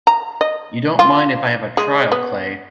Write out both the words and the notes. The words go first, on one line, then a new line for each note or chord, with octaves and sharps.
You don't mind if I have a trial, Clay.
A#5
D#5
F4
G#3
B3